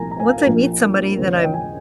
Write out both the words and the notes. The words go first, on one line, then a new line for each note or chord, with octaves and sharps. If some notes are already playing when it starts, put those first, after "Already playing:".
once I meet somebody, then I'm
Already playing: C2 A#2 F3 G#5 A#5
A#5
G#5
F5
A#4
A#1 A#2 F3
A#4
D#2 C#3 F3 C5
C#5
D#5
G5
G#5